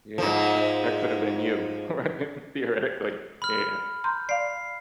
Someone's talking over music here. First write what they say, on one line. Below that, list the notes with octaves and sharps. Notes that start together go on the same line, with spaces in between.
Yeah. That that could have been you, right? The thoretically. Yeah.
G#2 F3
B5 F6
A#5 C6 G6
D5 F5 C7